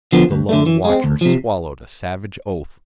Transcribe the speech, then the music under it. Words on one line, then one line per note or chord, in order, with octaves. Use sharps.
The lone watcher swallowed a savage oath.
D3 F3 B3
D2
D3 A3
E3
G#3 C4
D2
C3 F3